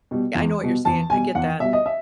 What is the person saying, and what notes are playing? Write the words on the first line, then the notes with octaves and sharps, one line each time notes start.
I know what you're saying, I get that.
B2 G3
E2
B2 G3
E2 A5
B2 G3 G#5
E2 F#5
B2 G3 E5
D#5
E5